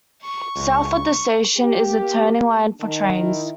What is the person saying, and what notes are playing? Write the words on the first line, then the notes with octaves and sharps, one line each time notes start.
South of the station is a turning line for trains.
C#6
C#2
A#3 G4
D#3 A5
E4